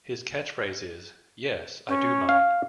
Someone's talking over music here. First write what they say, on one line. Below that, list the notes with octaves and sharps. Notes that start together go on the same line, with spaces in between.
His catchphrase is Yes, I do mind!
C#4
F5